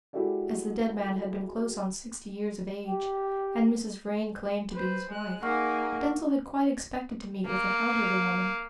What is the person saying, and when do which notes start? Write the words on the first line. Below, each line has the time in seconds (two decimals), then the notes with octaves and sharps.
As the dead man had been close on sixty years of age, and Mrs. Vrain claimed to be his wife, Denzil had quite expected to meet with an elderly woman.
0.13 G#3 E4 F#4 G4 A4 D5
2.87 G4
4.73 B4 C5
5.09 G#3 F#6
5.43 A#3 D#4 G#4 F#5 C#6 F6
7.46 A#3